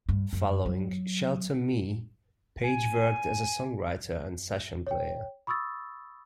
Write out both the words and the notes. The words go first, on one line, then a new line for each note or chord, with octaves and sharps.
Following "Shelter me", Page worked as a songwriter and session player.
G2
F#2
F#3
G#5
C#5 G5
B5 C#6 D#6 E6 A6